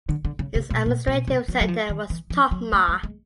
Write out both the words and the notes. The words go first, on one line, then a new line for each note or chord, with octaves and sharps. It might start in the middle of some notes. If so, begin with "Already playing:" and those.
Its administrative centre was Totma.
D3
D3
C#3
C3
B2
A#2
B2
C3
F#3
F#3
F3
D#3
E3
F3
F#3
A3
G#3
G#3